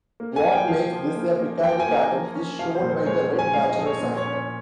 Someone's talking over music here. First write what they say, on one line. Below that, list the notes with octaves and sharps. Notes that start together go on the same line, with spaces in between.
What makes this a Picardy cadence is shown by the red natural sign.
A#3
G#5
F3
G5
F3 F5
F3
A#3
A#3
F3 G5
G#5
A#3
A#5
F3
C#4
F3 F5
C5
A#2
C5
G#3 C#5
C#4
G#5
G#3 F5
D#5
F3
C#5
A#2
C#5
C#4
C#5